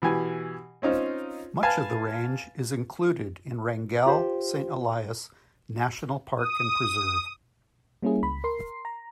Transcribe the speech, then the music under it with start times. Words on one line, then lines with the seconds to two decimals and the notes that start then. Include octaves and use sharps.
Much of the range is included in Wrangell-Saint Elias National Park and Preserve.
0.02 B2 E3 G4 G#5
0.82 C4 C#4 D#4 F4 C5
1.63 B4 F5 G#5 A5
4.06 F4 G4 C5
6.37 D#6
8.03 G3 A#3 C#4 E4 G#4
8.23 C#2 B5
8.44 A#4 C6 C7
8.85 A#5